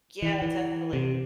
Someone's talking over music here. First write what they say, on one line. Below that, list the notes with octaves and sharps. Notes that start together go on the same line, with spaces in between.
Yeah. Definitely.
E3
E3
C3